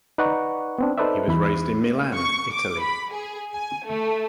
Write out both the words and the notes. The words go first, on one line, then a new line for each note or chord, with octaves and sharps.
He was raised in Milan, Italy.
D#4 B4 D5 F#5 A#5 C#6
B3 C4 D4
D#4 A4 B4 C5 D5 E5
E2 E4 B5
C#6
D6
B5
G#4
G#5
A3